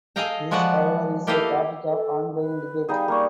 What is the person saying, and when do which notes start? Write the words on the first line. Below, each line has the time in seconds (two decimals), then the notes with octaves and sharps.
This however is a topic of ongoing debate.
0.16 G#4 A4 D#5 F5 G5 A#5
0.51 F3 G#3 B3 F#4 D5 F#5
1.27 A#3 E4 G4 A4 D#5 F5
1.88 A4
2.38 B4
2.89 G3 D#4 G#4 F5
3.08 A#3 D5 C#6